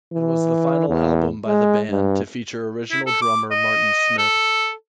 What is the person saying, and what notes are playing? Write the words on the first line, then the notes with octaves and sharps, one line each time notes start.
It was the final album by the band to feature original drummer Martin Smith.
E3
E2
G#3
G2
E4
A4
D6
D#5
A4